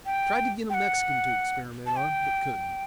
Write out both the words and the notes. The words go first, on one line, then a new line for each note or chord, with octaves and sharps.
I tried to get a Mexican to experiment on, but couldn't.
G5
G5
F#5
A5
G5